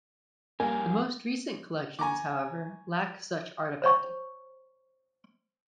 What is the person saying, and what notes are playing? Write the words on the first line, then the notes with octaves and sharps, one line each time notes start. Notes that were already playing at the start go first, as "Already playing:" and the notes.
The most recent collections, however, lack such artifacting.
G2 A#3 G4 A#4 G#5
G#5 A#5 C#6 D6
C5 C#5 C#6